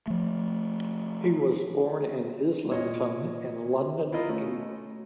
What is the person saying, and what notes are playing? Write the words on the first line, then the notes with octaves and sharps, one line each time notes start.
He was born in Islington, in London, England.
F3 A3
A#2 C#5 D#5
E4 F4 A#4 D#5 F5
A3 C#4